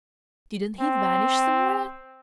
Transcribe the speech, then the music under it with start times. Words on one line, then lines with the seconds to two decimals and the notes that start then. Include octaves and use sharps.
"Didn't he vanish somewhere?"
0.81 C4